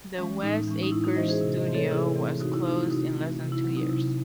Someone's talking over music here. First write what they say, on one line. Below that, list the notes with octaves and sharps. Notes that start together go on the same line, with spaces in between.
The West Acres studio was closed in less than two years.
E3 G#3 C#4
A2 D#4
E3 G#3 C#4
D#4
A2 E4
D#4 F#4
E3 G#3 C#4 C5 D#5
G#4 C5
C3
C5 D#5
E3 A3 C4
A4 C#5
C3 E4 G#4
E3 A3 C4
C3 D#4 F#4
E4
E3 A3 C4 D#4
E4
C3 D#4 F#4
E3 A3 C4
C3
E4
F#3 C4
D#4
C3 E4